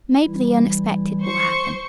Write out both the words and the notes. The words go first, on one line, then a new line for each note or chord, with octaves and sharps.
"Maybe the unexpected will happen."
E3 G3 E4
C5 C#6 C#7